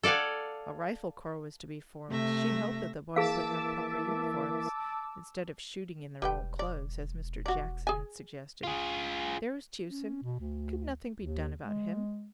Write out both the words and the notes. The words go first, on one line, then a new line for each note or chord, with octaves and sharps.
A rifle corps was to be formed: she hoped that the boys would have proper uniforms, instead of shooting in their old clothes, as Mr. Jackson had suggested. There was Tewson; could nothing be done about him?
A4 D5 F5 F#5 G#5
C3 A3 E5 A#6
E3 A#3 G#4 E5 F5 A5 D6 E6
E1 G3 B4 G5
D5
F#4 D5
G#4 G#5
F4 G#4
C#4
B2
D2
D#2
G#3